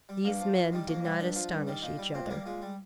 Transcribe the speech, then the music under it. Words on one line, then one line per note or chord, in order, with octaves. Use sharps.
These men did not astonish each other.
G3
G2 A#3
F3
F2
D#3 G3
F2 A#3
C3 G3
G2 D4
F3
G2
D#3 G3
A#2 D#4
G3
A#2 C4
G#3
G3 A#3
A#2 G#3
G3